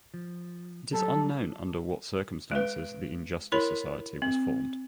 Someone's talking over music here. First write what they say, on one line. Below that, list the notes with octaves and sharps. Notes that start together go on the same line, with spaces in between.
It is unknown under what circumstances the Injustice Society was formed.
F3
F#3 G3 A4 A5
G#3 B4
E4 A#4 C#5 B5
C4